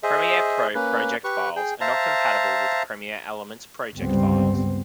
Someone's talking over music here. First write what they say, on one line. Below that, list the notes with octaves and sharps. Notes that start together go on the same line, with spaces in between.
Premiere Pro project files are not compatible with Premiere Elements projects files.
G#4 C5 D#5 E5
A#3 C#4 B4
G4 B4 C#6
G#4 G5
C5 E5 F5 A5 A#5
G1 C#2 G3 B3 C4